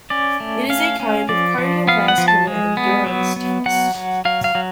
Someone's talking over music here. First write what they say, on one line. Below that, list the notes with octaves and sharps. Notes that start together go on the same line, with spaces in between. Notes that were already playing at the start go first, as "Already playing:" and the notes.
It is a kind of cardiovascular endurance test.
C#4 D5
A3
C#4 F5
C#4
F3 D5
F3
B3 F5
F#5
F3
A5
G#3
B3
F#3
B3
F#3 F#5
F#3
F#3 F5
F5
F#3